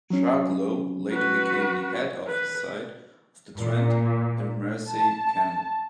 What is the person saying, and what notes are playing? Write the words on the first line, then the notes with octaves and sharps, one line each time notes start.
Shardlow later became the head office site of the Trent and Mersey Canal.
F#3 C#4
F#4 B4
B4
A#2
A5